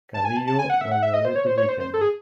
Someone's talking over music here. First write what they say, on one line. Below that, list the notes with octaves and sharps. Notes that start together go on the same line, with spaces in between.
Carrillo was a Republican.
A5
G#5
A5
A5
G#5
F#5
E5
F#5
E5
D#5
C5
C#5
C5
C#5
C5
C5
A4
G#4